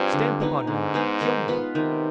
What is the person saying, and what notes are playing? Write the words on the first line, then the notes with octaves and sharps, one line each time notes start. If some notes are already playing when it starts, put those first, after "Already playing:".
'Stamp upon me, kill me!
Already playing: G2 F3 C4 F4 G#4
D3
G#3 B3 D#4
G#2 D3
G#3 B3 D#4
D#3
B3 F4 B4
C3 D#3